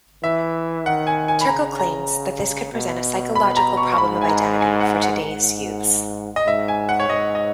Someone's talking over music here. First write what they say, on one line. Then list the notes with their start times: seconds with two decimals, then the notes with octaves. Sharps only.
Turkle claims that this could present a psychological problem of identity for today's youths.
0.23 E3 E5
0.86 D#3 F#5
1.07 G#5
1.28 G#5
1.41 B5
1.48 C#3 A#5
1.80 A#5
2.73 B2
3.35 B5
3.57 A#5
3.77 C#6
3.92 C#6
3.98 G#2 B5
4.21 G#5
4.29 A#5
4.61 G#5
4.80 F#5
5.02 F#5
5.22 G#2
6.36 D#5
6.46 G#2 E5
6.68 G#5
6.89 F#5
7.00 C#5
7.09 G#2 D#5
7.35 D#5